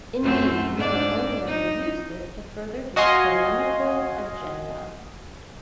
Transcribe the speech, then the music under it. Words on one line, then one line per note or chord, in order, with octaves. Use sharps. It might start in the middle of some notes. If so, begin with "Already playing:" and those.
Indeed, Miller only ever used it to further his polemical agenda.
F#2 A3 C4
G#2 D4 D5
D#4
F#4 D#5 F5 G#5 C6